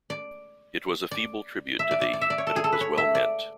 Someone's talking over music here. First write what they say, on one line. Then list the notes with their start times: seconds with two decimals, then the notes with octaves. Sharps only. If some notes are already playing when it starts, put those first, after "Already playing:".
It was a feeble tribute to thee, but it was well meant.
0.10 D5
1.11 D5
1.79 E5
1.91 D5
2.01 D5
2.13 D5
2.21 E5
2.30 D5
2.38 C#5
2.47 A4
2.56 G#4
2.64 A4
2.72 B4
2.81 C#5
2.98 E5
3.15 D5